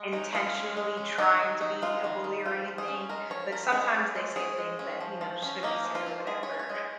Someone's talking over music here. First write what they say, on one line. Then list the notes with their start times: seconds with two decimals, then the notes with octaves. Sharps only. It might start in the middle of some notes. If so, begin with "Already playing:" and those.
intentionally trying to be a bully or anything, but sometimes they say things that, you know, shouldn't be said or whatever,
Already playing: G#3
0.12 C#4 D#4
0.34 G#3 F4
0.55 C#4
0.77 G#3
0.97 C#4
1.18 D#3 D#4
1.40 D#3
1.61 D#4
1.82 G#3 F4
2.04 D#3
2.24 D#3
2.46 F3 F4
2.68 F3
2.78 G#4
2.88 C#4
3.09 G#3 A#4
3.30 F3 C#5
3.52 F3 A#4
3.72 G#3 G#4
3.94 C#4
4.16 G#3
4.36 C#4 G#4
4.58 G#3
4.79 C#4
5.01 F3
5.21 F3
5.42 C#4
5.63 A#3 D#4
5.85 F3
5.95 F4
6.06 F3
6.27 G#3 G#4
6.43 C#5
6.49 C#4
6.59 C#5
6.69 G#3
6.75 G#4